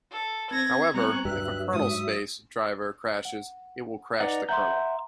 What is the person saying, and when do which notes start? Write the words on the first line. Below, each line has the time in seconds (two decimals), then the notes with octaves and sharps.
However, if a kernel-space driver crashes it will crash the kernel.
0.11 A4
0.51 C4 G#6 A#6
0.94 G3 B3 C4 G#5 A#5 C#6 F#6
1.25 D2 G2 F#3 G4 E5 F#6
1.73 G#2 D#6
3.25 F#5
4.20 D#4 B4 D5 F#5
4.49 E5 F#5 A#5 C6 G6